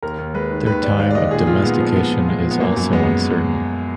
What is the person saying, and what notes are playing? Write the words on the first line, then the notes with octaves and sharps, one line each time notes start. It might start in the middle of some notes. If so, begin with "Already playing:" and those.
Their time of domestication is also uncertain.
D#2 A#4
D#2
G#3 B4
D#3
D#2 B4
D#2 D5
G#3 F5
D5
D#3 D#5
A#2 G#4
A#2 F4
G#3 B3
F3
A#2 B3
A#2
G#3 B3
F3
B3
F#2 A#3
F#2
G#3 B3